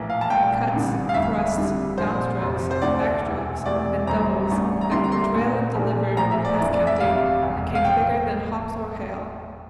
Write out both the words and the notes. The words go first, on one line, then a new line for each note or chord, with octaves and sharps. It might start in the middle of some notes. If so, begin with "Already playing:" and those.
The cuts, thrusts, down strokes, back strokes and doubles, that Corchuelo delivered were past counting, and came thicker than hops or hail.
Already playing: A#1 A2 E3 A#3
F5
A5
C2 A#2 A3 G5
A1 G2 D3
F5
G1 F2 D3 A3 E5
G2 D3 G3
C2 A#2 F3 C5
F1 F2 C3 F3
C5
D2 D3 A3 D5
E1 E2 E3
E1 E2 C3 E3 A3 D5
G1 G2 E3 A3 C4 A#5
A1 G2 E3 A3 D4
A#5
G2 D3 G3 A#3 E4 C6
A#5
C6
C2 A#2 A3
A#1 A#2 G3 D4
A#1 A2 F3 A#5
E5
D5
F1 F2 E3 A3 D4 D5
D5
E5
G1 F2 C3 G3 F5
E1 E2 C3
F5
A2 F3 A3 G5